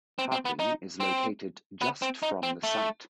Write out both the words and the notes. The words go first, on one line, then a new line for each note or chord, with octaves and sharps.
Parking is located just from the site.
C4
C4
B3
D#4
C4
B3
C4
D#4
C4
A3